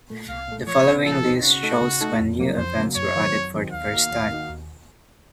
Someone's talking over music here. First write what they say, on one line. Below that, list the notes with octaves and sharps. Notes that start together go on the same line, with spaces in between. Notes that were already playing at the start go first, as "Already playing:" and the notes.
The following list shows when new events were added for the first time.
A#2 A3
C2 F5
A#2 A3
F3 C#5
C4 D#4
F3 A4
C4 D#4
C#3 F#4
A3 D#4 A4
C#3
A3 D#4 A4
F2
C#3 F#3 A#3
F2 C5
C#3 F#3 A#3
F#2 C#5
D#3 F#3 C4
F#2
D#3 F#3 C4
D#2 F5
D#3 A#3 D#4 F#4
D#2
D#3 A#3 D#4 F#4
D#2